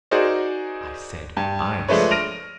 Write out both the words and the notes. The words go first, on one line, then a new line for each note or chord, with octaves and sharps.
"I said ice."
D#4 F#4 G#4 A#4 C5 D5
G2
F3 G#3 A3 D4 B4 C#5
F6 A#6 D7 D#7 F7